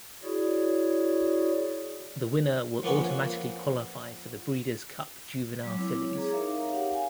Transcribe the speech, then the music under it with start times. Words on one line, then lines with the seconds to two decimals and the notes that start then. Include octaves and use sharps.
The winner will automatically qualify for the Breeders' Cup Juvenile Fillies.
0.23 E4 F#4 G#4 C#5 D5
2.83 F3 A#3 B3 C#4
5.63 F#3 G#3 D6
5.77 C4 E4 C#5
6.16 G#4 A#5 D6
6.32 D#4 A#4 C#5 E5 F5
6.72 G4 F5 F#5
6.93 G#5